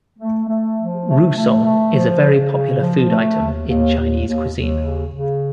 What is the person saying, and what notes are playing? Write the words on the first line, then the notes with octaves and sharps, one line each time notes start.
"Rousong" is a very popular food item in Chinese cuisine.
A3
A3
F3
A3
A3
A3
F3
C#3
C#3
F3
A3
D#2
D#2
D#2
D#2
D#2
C#3
C#3